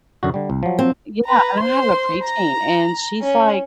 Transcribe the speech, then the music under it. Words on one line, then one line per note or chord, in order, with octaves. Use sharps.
Yeah, and I have a preteen, and she's like,
F#2 D3 F#4
D3 G3
C2
F3 F#3
C4
B4 A#5
C5 C6
A#5
C#4